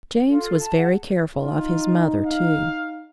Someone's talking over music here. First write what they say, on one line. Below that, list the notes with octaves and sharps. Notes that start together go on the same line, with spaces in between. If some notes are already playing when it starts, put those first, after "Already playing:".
James was very careful of his mother, too.
F4 A4
A5
G#4 F#5
D#4 F4
F5